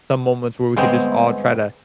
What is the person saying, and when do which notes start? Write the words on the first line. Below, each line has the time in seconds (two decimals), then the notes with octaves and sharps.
some moments where we could just all try to
0.77 G1 G#3 B3 C4 G5